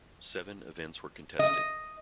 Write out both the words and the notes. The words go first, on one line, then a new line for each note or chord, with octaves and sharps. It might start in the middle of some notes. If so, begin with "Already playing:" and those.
Seven events were contested.
D#5